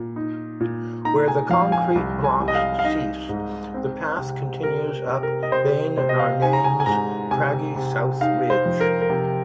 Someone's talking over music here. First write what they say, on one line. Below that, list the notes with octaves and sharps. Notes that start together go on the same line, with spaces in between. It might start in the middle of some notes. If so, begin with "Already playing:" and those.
Where the concrete blocks cease, the path continues up Beinn Narnain's craggy south ridge.
Already playing: A#2
D#4
A#2
D#4 A#5
G#5
F2 F5
G#5
C2
G#5
C2
D#5
F5
F5
D#4 D#5
G#2
C4
C3
C3 A#4
C3
A#4
D#5
C3 C5
C3 C5
D#5
F5
D#4 G#5
A#5
G#5
G#5
G#2 A#5
C3 G#5
C3
D#4 F5
C5
F2
A#4
A#4
C3